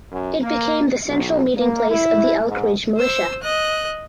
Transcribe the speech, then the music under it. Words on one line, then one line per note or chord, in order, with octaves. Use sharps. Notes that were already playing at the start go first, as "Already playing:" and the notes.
It became the central meeting place of the Elk Ridge Militia.
F#2
A#3
B1
A#3
E4
G#2
C5 E6
D#5 F#6